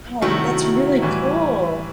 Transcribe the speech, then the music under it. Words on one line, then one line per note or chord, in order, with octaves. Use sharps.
Oh, that's really cool.
C3 D#3 F#3 A3 E4 F#4
A2 E3 G3